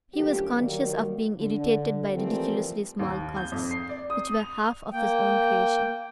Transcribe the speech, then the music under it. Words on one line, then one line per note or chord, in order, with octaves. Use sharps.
He was conscious of being irritated by ridiculously small causes, which were half of his own creation.
F#2 D3 F3 A3 A#3 G4
D#3 F#3 G3 A#3
D3
E3 F3 G3 A3 A#3 C4
D#2
G6
F2
C7
D5
D#6
F7
A#3 G5